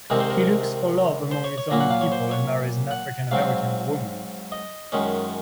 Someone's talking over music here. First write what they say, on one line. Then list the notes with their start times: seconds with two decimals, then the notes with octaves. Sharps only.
He looks for love among his own people and marries an African-American woman.
0.10 C2 C3 D#3 G#3 C4 A#4
0.21 C5
0.30 A#4
0.41 A#4
1.32 C5
1.44 C#5
1.58 C#5
1.70 A#2 F#3 A#3 A#5
1.81 F#5
1.91 F5
2.01 C#5
2.12 C5
2.31 C#5
2.91 F#5
3.31 G#2 F#3 C4 F5
4.52 D#5
4.92 F#2 D#3 G#3 C#4